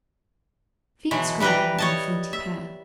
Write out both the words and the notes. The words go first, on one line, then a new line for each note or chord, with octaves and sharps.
Feet scrabbled on the flinty path.
B2 E3 F#3 G#3
E3 G3 B4 G5 A#5
C#5 D#5 A5
E5